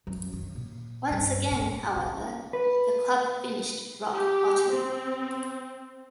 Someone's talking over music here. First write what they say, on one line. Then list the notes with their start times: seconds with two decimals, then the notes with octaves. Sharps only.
Once again however the club finished rock bottom.
0.07 F#2
0.33 D#3
0.55 A#2
1.10 G2
1.51 A2
1.96 C#3
2.53 B4
4.14 G4
4.73 C4